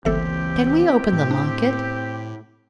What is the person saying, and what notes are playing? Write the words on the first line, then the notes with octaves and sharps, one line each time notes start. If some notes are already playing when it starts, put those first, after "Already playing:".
Can we open the locket?
G1 C#2 E3 A#3 C4 G4 A4 E5
A2
D4